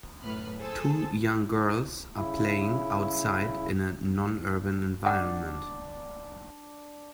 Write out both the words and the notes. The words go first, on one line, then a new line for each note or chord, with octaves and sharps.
Two young girls are playing outside in a nonurban environment.
F#2 A2 B4 B5 F6 F#6
G#4 A4 C5 A5 E6
C#3 E4
D4 F#5